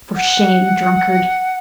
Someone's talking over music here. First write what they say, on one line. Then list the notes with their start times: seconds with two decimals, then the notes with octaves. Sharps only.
For shame, drunkard!'
0.16 F#5